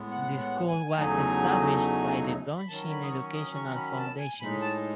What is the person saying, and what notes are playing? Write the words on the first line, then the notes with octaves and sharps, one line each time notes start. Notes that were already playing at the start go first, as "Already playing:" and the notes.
The school was established by the Dongshin Educational Foundation.
Already playing: A2 G#3 B3
F#5
F#5
G#5
E2 C#3 F#3 A3 D#4 G#5
B5
D#3 F#3 C#4 A5
B5
D#6
C#6
D#6
C#6
B5
B5
A5
G#5
A2 G#3 D#4 B5
A5